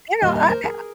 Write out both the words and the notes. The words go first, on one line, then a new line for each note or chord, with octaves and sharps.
You know, I I
A#2 G3 A#3 D#5 F5
D#5 F5
A#4 C5
G#4 A#4